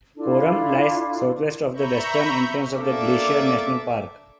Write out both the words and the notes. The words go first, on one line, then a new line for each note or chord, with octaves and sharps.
Coram lies southwest of the western entrance of Glacier National Park.
D4 E4 F4 A4
E5 A#5 B5 C#6 G6
A#3 D4 A4 D5 E5 D6